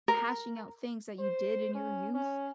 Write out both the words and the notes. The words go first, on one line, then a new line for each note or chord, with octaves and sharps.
hashing out things that you did in your youth,
A#4
C5
C#4
C#4